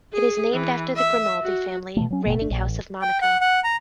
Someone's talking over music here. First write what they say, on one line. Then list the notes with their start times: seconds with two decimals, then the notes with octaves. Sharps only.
It is named after the Grimaldi family, reigning house of Monaco.
0.13 G#4
0.53 E3
0.96 E5
1.42 F#4
1.97 B2 E3 A3
2.10 F#3 C#4
2.25 G1 D#2 B2 A#3
2.38 G1 D4
2.50 A#1
2.67 A1
3.02 G5
3.22 F#5
3.41 F#5
3.64 A#5